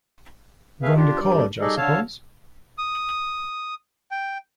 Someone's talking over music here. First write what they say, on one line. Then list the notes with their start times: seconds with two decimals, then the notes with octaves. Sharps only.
Going to college, I suppose?
0.82 A3 G#4 B4 E5 F5
0.96 D4 F4 G4
1.19 G2 G3 D5
1.61 G3 D#4 G#4 A4 D5 D#5
1.77 D3 A4 C#5 F5 A5
2.78 D#6
4.11 G5